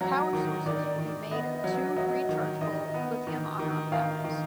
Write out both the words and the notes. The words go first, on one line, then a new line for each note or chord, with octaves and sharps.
Power sources will be made of two rechargeable Li-ion batteries.
F#3 A#5
D#3
D#3 D5
D#3
B3 D#5
F#3
F#3 D#5
D#3
D#3 D#5
B3
D#3
D#3
D#3 F5
D#3